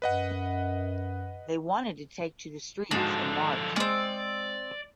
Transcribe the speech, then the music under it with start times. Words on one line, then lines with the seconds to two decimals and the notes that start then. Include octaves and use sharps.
They wanted to take to the streets and march.
0.02 F#2 B4 D#5 F#5
2.91 G#2 D3 F3 D4 F#4
3.76 G#3 C4 C#4 D5